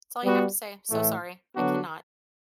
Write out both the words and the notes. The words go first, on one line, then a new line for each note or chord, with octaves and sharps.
That's all you have to say, "So sorry, I cannot."
G3 B3 F#4
A2 E3 A3
D3 F#3 B3 D4 F#4